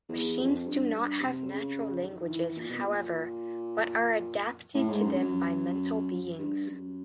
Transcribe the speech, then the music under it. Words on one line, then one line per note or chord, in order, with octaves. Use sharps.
Machines do not have natural languages, however, but are adapted to them by mental beings.
E2
F2
G2
G2
C3
C#3
D#3
E3
A#2
B2
A#2
A2
G#2
F#2
F#2
G2
F#2